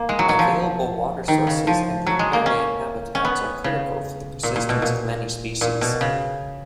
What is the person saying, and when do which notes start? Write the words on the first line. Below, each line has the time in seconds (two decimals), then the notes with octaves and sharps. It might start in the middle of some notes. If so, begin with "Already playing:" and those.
Available water sources and riparian habitats are critical for the persistence of many species.
Already playing: A#3
0.09 G#3
0.19 F#3
0.29 F#3
0.39 F3
1.28 D#3
1.47 C#3
1.67 F3
2.07 F#3
2.19 G#3
2.33 A#3
2.46 C#4
3.15 C#4
3.25 B3
3.64 C#3
4.43 A#2
4.56 A#2
4.69 B2
4.82 A#2
5.61 A#2
5.81 B2
6.01 C#3